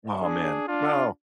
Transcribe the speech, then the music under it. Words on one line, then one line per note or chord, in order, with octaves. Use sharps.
Aw, man. No.
D4 G#4
D4 F4